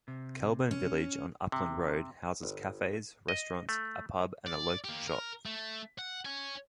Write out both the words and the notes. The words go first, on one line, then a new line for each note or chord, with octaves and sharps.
Kelburn Village, on Upland Road, houses cafes, restaurants, a pub and local shops.
C3
C#4
C3
G1
D#5
A3
D5
A#3 G4
A#4
A3
F#5
C#5 G#5